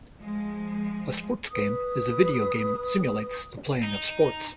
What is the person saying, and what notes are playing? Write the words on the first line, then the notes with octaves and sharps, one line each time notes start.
A sports game is a video game that simulates the playing of sports.
F3 G#3
B4 D#6
D#4